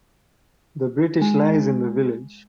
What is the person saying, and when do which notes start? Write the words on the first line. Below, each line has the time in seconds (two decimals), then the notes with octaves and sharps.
The British lies in the village.
1.21 G#3